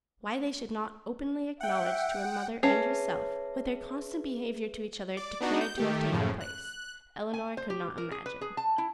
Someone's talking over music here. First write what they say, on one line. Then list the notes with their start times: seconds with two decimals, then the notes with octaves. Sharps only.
Why they should not openly acknowledge to her mother and herself, what their constant behaviour to each other declared to have taken place, Elinor could not imagine.
1.61 E5 F#5 G5
2.63 C#4 G#4 B4 C#5 E5 A5 C7
5.17 D5
5.41 B3 D4 D#4 F#4
5.61 G6
5.78 D#3 A3 G4
6.11 F#2 A2 C#3 F3
6.41 F#6
7.34 G#5
7.57 C5
7.70 G4
7.98 A#4
8.11 G#4
8.26 B4
8.41 G#4
8.57 A5
8.78 E4